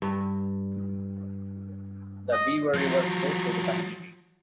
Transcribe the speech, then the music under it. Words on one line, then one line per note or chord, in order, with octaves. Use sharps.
The Beaver River flows through the community.
G2
D#5
F3 F#3